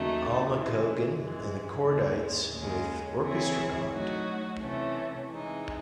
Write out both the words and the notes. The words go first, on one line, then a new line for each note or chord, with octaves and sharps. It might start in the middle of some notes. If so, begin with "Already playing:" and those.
Alma Cogan and The Kordites with orchestra cond.
Already playing: D#2 C#3 F#3 A3 D#4
C#3 E3 G#3
F#2 E3 G#3
D#2 C#3 E3 G#3
D#2 C#3 G#3 C#4
E3 C4 E4 G#4 C#5
F#3 A3 D#4 F#4 C#5
C3 E3 A3 C#4
C3 E3 G#3 D#4